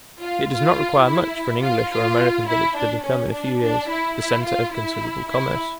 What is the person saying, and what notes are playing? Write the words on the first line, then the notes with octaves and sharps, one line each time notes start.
It does not require much for an English or American village to become in a few years the center of considerable commerce.
F4
F4
E4
F4
F4
E4
D4
C#4
D4
D4
E4
E4
F4
E4
E4